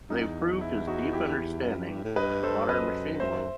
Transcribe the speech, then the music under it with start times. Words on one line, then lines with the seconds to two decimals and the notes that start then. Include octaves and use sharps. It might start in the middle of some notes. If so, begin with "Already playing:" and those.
They proved his deep understanding of the modern machine world.
0.10 F#2 D#4
0.27 E2
0.44 E2
0.61 E4
0.87 D#4 F#4
1.13 E4 G4
1.65 F#2
1.78 F#2
1.91 G2
2.04 A2
2.16 G2 B4 D#5
2.43 A4 C5
2.69 F#2 B4 D#5
3.20 F#2 C5 E5